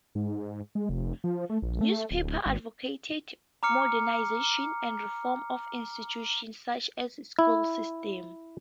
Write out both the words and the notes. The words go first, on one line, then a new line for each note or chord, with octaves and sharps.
Newspapers advocated modernization and reform of institutions such as the school system.
G#2
G#3
F1
F3
A3
A#1
A3
D1
G#1
A#5 D6 F6 C#7
E4